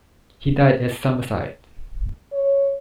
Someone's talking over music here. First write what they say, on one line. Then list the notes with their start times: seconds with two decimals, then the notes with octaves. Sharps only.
He died at Summerside.
2.33 C#5